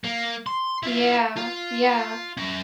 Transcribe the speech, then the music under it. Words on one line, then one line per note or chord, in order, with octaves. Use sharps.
Yeah. Yeah.
A#3
C6
E4 F4
F4
C#4 A#4